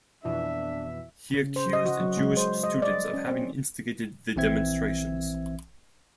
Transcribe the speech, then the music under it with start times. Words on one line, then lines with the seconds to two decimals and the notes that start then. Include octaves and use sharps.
He accused Jewish students of having instigated the demonstrations.
0.25 F2 B2 E3 D4 E5
1.34 C#3
1.56 C5
1.73 D#5
1.86 F#4
2.00 F#3
2.17 G#3
2.37 C5
2.63 D#5
2.82 D5
3.13 C#4
3.27 C4
4.36 A#1 E3 C4 E5 G#6